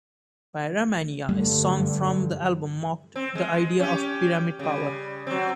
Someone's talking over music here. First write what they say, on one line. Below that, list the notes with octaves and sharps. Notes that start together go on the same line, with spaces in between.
"Pyramania", a song from the album, mocked the idea of pyramid power.
G2 D3 G3 A3
C4
G#3
C#4 G4
C#3 G3
F#3 C4